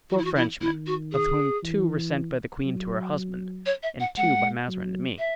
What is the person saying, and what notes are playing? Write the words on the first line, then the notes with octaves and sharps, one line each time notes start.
"The four Frenchmen, of whom two were sent by the queen to her husband and two by Mazarin to me."
E3 F#4
E4
F#4
E4
D#3 E4
F#4
G#4
E3
F#3
C#5
E5
F#5
G#3 F#5
F#3
E5